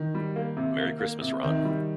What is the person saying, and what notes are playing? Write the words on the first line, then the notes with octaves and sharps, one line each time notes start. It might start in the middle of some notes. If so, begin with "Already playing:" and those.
Merry Christmas Ron!
Already playing: D#3
G3
A#3
C3
A#3
A#3
C3
C3 D#3
G3